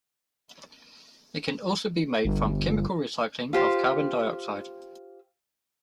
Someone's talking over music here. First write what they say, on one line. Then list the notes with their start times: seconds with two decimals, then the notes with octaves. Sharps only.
It can also be made from chemical recycling of carbon dioxide.
2.25 G1
3.53 F4 G4 C5